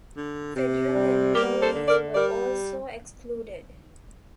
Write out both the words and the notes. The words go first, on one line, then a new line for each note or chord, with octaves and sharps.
Federal employees were also excluded.
D3
C3
G3
A#3 G4 A#4
A4 C5
D3
A#4 D5
G3 A#4 D5